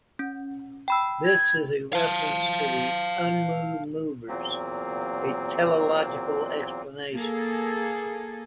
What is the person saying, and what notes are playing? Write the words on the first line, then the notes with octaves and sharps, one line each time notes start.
This is a reference to the "unmoved movers", a teleological explanation.
C#4
G5 B5 E6
G#6
F5 A5
E2 A#2 F#3 A#3 C4
A#3 G#4 A4